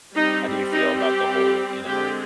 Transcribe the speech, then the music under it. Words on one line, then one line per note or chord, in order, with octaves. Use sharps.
how do you feel about the whole, you know,
G3 C4 D#4
D#4
G4
D3 G#3 C4 G4